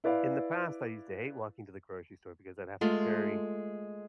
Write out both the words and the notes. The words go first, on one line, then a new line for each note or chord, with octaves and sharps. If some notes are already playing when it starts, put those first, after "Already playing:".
in the past, I used to hate walking to the grocery store because I'd have to carry
E4 B4 D5 F5
G#3 A3 F4